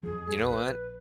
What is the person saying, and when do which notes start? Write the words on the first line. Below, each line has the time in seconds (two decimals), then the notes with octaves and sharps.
You know what?
0.03 F2 F3 G#4
0.45 A#1 B4